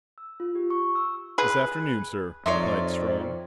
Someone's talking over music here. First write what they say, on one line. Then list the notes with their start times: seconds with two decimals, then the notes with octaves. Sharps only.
"This afternoon, sir," replied Strong.
0.18 E6
0.40 F4
0.55 G4
0.70 C#6
0.95 E6
1.38 G#4 B4
2.46 F2 D#4 C#5 D5 E5 C6